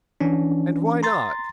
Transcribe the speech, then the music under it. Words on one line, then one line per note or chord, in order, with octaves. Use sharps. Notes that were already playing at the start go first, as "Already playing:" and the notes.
"And why not?"
E3 C#4 D4
A#5 C6 A6